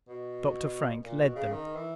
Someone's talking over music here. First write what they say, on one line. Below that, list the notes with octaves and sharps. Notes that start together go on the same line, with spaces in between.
Dr. Frank led them.
B2
A#2
B2
C#3
D#3
E3